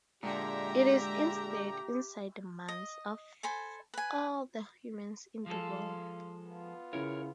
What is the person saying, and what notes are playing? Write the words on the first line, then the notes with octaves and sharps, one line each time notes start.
It is instead "inside the minds" of all the humans in the world.
A#2 D3 G#3 G4 E5 G5 A#5
D#5
A4 C5 G#5 B5
B4 G#5
F3 G#3 A4 F5 C6
B3 F4
C#3 E4 A#4 C#5